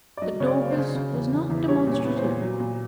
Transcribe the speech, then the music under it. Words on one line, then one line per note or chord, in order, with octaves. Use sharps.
But Dorcas was not demonstrative.
D5
F#3 D#5
C#3 C#5
D5
A#3
C5
C#3
C#3
E2
E3
E2
G3 C#5
A#2
C#5
B3
C5
A#2
F#3
A#2